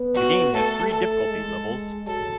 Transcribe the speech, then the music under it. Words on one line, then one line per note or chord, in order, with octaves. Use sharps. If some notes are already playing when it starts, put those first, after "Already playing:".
The game has three difficulty levels.
Already playing: B3
F#4
A3 A4
A4
G#3
F#3 A4